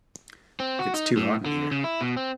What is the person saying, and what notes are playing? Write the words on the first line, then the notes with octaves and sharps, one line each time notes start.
It's too hot in here.
C4
F#4
D#4
A2
D3
C#3
E4
B2
C4